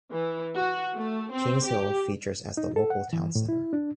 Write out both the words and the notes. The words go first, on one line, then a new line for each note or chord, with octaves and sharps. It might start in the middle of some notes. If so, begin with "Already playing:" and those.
Kings Hill features as the local town centre.
E3
F#4
A3
C4
G4
D#4
A4
F#5
E3
A2
E4
D4